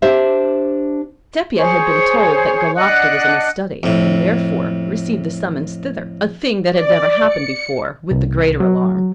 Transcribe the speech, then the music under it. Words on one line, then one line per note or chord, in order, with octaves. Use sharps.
Sepia had been told that Galofta was in the study, and therefore received the summons thither--a thing that had never happened before--with the greater alarm.
D4 G4 C5 E5
G#4 C5 C#5
D4 D#5 F#5 F#6
F2 A2
D5
C#7
C2
F#3